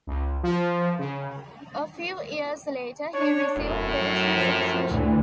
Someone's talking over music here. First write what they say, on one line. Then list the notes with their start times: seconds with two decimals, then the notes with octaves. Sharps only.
A few years later he received Belgian citizenship.
0.07 C#2
0.43 F3
0.99 C#3
3.14 D4 C#5
3.57 E1 F#2 A2
4.01 F#3
4.36 F3
4.91 D2 E3